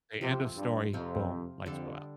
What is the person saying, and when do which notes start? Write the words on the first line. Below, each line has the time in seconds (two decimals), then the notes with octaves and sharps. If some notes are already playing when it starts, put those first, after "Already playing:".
Say, end of story, boom, lights go out.
0.21 C3 F3 C4 A4
0.57 G2
0.93 F2 C3 F3 C4 F4
1.66 F2 D3 G3 D4 A4